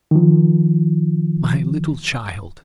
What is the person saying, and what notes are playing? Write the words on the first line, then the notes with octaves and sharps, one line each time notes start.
"My little child!"
D#3 F3